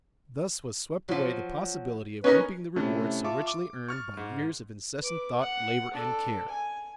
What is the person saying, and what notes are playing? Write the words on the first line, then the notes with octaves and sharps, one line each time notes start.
Thus was swept away the possibility of reaping the reward so richly earned by years of incessant thought, labor, and care.
F3 F#3
C#4 D#4 A#4 B4
C3 A3 C#4 E4
F4 E5 A5 C#6 D6
D6
C#6 F6 A6
G#2
B4 D6
F#5
D4 A4
G#5